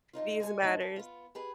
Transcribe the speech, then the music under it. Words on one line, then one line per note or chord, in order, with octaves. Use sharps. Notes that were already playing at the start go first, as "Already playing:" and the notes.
these matters.
F#2 D3 D#4 F4
G#3 F#4 D5 G#5
F3 A3 D#4 E4
A4
B3 F4
G4 G#4 B4